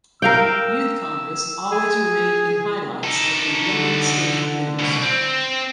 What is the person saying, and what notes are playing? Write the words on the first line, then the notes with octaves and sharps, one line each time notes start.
Youth Congress always remained in highlights of the leading state news.
A#4 F5 G5 E6
G#4
D#4 A4
D3
C2 B2
C4